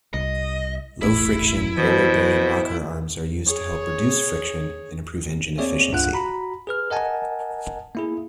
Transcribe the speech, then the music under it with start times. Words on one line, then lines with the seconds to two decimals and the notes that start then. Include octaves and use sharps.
Low-friction, roller-bearing rocker arms are used to help reduce friction and improve engine efficiency.
0.14 C2 D#5
1.01 E1 A1 A3 E4
1.77 B2 E3 C5
3.47 G#4 C#5
5.58 A#3 C4 G#4 C#5 D5 E5
5.92 C#2 G2 D4 F4 F#5 F#6
6.13 F#4 A#5 B5
6.67 G#4 B4 F6
6.90 A#4 D#5 F#5 G#5 A5
7.95 A#3 E4 G#4